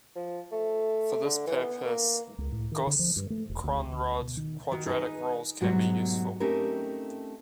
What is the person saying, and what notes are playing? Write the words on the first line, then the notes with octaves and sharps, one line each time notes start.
For this purpose, Gauss-Kronrod quadrature rules can be useful.
F3
A3
D3
E3
B3
A#3
C#2
A2
D#3
D3
F3
G2
A3
E1
D2
D2
B2
D#3
D#3 F#4
D#4 G#4 A#4 B4 D#5
G#2 B2 F#3 G3 A3 F#4
A3 C4 C#4 D#4 G4 A#4